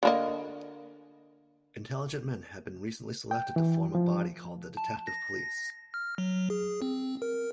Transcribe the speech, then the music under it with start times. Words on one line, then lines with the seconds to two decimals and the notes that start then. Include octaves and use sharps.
Intelligent men have been recently selected to form a body called the detective police.
0.03 D3 A#3 D#5
3.31 G5
3.56 E3
3.95 F3
4.77 A5
5.07 A#6
5.94 F6
6.18 F#3
6.50 G#4
6.82 C4
7.22 A#4